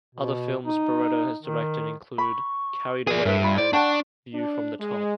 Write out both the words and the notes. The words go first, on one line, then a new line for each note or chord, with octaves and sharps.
Other films Barreto has directed films include "Carried Away" and "View from the Top".
B2
D#4
D#3
B5 C#6
G#4 D5 G#5
G2 A#4 B4 E5
F4 B5
E4 C5 D5
D4 F#5 G5 A5 C#6
D4
G#3